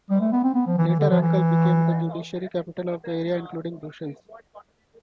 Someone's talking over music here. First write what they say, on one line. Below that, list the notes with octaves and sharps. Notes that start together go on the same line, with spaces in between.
Later, Uccle became the judiciary capital of the area including Brussels.
G3
A3
B3
C4
B3
F3
E3
E3
D3
F3
E3